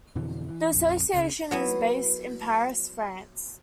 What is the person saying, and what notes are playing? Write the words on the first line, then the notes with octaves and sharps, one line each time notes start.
The association is based in Paris, France.
F2 B2 D3 E3
E3
A#1 F2
C#2 C#3
F#3 B3 E4